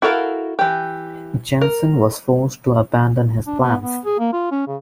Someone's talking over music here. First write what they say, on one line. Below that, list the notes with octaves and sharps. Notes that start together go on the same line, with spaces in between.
Jensen was forced to abandon his plans.
E4 F#4 A4 A#4 F5
E3 G4
A#4
D4
B3
B3
G#4
A#3
F4
C#4
C#3